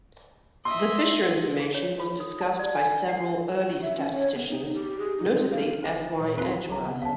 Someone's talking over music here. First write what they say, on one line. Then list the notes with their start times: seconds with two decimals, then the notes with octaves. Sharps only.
The Fisher information was discussed by several early statisticians, notably F. Y. Edgeworth.
0.65 D#5 E5 C6
1.60 G#4
1.75 C#5
2.00 F4
2.20 D#6
2.41 A5
2.59 D5
2.75 G#5
3.09 F#5
3.61 F#4
3.82 E5
3.97 C#4
4.14 C#5
4.35 B3
4.49 D#4
4.74 G4
4.99 G#4
5.19 D#4
5.35 C4
5.51 F5
5.83 G1 A4 C5
6.19 A#2 F#3
6.37 D#2 C4 F#4 B4 C6
6.68 C2 F#3 G4 A4 A#5
6.85 C#3 B3
7.02 D2 F#3 F5 A5